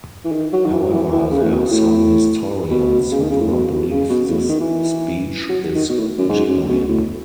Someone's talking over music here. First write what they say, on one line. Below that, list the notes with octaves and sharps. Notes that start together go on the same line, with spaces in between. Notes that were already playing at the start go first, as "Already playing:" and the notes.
However, there are some historians who do not believe this speech is genuine.
E3
D#3
F#3
D#3
E3
F#3
E3
E3
C#3
A2
B2
A2
B2
C#3
D#3
C#3
A2
B2
B2
C#3
B2
A2
B2
D#3
E3
F#3
D#3
B2
A2
F#2
G#2
F#2
B2
A2